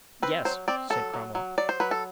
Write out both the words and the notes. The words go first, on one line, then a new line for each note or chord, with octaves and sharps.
"Yes," said Cromwell.
C4 B4
F#3 C5
C4 D5
F#3 A4
F#3
F#3
F#3 D5
C5
F#3 B4
A4